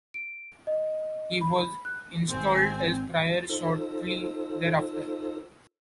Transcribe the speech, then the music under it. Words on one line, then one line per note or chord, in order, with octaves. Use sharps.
He was installed as prior shortly thereafter.
D7
D#5
B5
F#6
G#1 C4 G#5
D#4 F4 A4 C5 E6 A#6